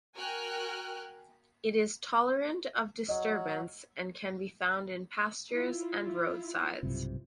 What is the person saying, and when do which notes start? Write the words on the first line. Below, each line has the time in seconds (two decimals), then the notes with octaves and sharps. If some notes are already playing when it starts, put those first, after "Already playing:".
It is tolerant of disturbance and can be found in pastures and roadsides.
0.16 F#4 A#4 G5 G#5 F6 F#6
3.08 F#3 D#5
5.51 E4 F4
6.83 B1 G2 C3